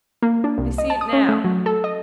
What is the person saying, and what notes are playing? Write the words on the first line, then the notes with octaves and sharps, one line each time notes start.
I see it now.
A#3
D4
C2
D#5
A5
D#6
C#4
A3
F#3
A4
D#5